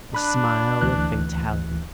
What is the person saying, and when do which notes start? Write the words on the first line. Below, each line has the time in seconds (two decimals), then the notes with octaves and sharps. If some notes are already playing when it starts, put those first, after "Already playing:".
The smile of Fatality!
0.14 D4 B5 F#6
0.82 D2 E3 F#6